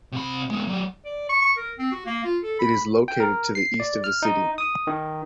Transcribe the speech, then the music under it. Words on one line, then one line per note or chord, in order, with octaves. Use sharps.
It is located to the east of the city.
C3 B5
G#3 B3
F#3 G3
D5
C#6
C#6
A#4
C4
F#4
A#3
F4
A4
B5
G5
A#4
C7
D5
F6
D#4
D#6
D#3